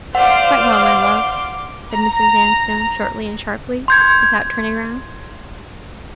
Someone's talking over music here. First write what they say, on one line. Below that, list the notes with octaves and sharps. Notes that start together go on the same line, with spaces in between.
"Quite well, my love," said Mrs. Vanstone, shortly and sharply, without turning round.
C5 D5 F5 F#5 C6 D6
A#5
C6 G6 G#6